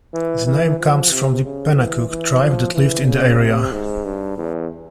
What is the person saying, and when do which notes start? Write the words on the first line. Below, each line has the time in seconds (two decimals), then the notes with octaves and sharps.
The name comes from the Pennacook tribe that lived in the area.
0.14 E3
0.46 E3
0.79 F3
1.11 C3
1.44 C#3
1.76 E3
2.09 E3
2.42 F3
2.74 E3
3.06 C#3
3.39 C3
3.72 G#2
4.04 G2
4.37 E2